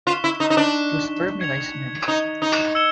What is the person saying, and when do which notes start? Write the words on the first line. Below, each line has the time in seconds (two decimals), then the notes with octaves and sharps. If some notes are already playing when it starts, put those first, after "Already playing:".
To 'spermulise' men.
0.07 F4 C#6 F#6 B6 E7 G7
0.24 E4
0.40 D#4
0.50 D#4
0.57 D4
1.41 G#6 C#7 F7
2.08 D#4
2.42 D#4
2.75 E6 G#6 C#7 E7 G7